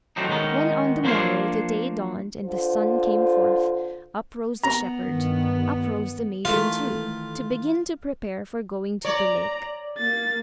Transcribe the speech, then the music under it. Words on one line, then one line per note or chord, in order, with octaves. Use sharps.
When, on the morrow, the day dawned and the sun came forth, up rose the shepherd, up rose the maiden too, to begin to prepare for going to the lake.
F#3 A3 C4 D4 D#4
D#3 G#3 B3 C#4 D#4
F3 A#3 D4 C5 C#5 F5
D3 F4 C5
B3 A#5
G2 D#3
D#3 E3 A3 F4
C#5 D5 A#5
A#3 A6